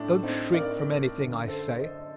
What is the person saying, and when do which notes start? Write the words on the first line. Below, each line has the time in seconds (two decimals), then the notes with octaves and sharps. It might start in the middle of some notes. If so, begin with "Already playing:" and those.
Don't shrink from anything I say.
Already playing: A2 D4
0.23 C4 D#4
0.54 A#4 D5
1.17 F#2 D3
1.48 A4 C5
1.79 C5 D#5